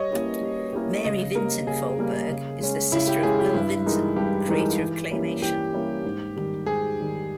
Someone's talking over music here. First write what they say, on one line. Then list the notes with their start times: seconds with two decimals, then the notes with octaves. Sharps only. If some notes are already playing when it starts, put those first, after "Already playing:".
Mary Vinton Folberg is the sister of Will Vinton, creator of Claymation.
Already playing: G3 C#5 D#5
0.11 A#3 C#4 E4 G4
0.41 G3
0.73 A#3 C#4 E4 G4
1.05 C#3 D#5
1.35 G3 A#3 A#4
1.67 C#3 G#4
1.99 G3 A#3
2.30 C#3
2.60 G#3 C#4
2.92 C#3 E4
3.07 G4
3.23 G#3 C#4 G#4
3.39 G4
3.54 G2 E4
3.86 E3 G#3 D#4 A#4
4.16 G2 G4
4.49 E3 G#3 D#4 A#4
4.79 E3
5.11 G3 A#3 C#4 E4
5.42 E3 G4
5.74 G3 A#3 C#4 E4
6.04 G#2
6.36 D#3 G3
6.66 G#2 G#4
6.99 D#3 G3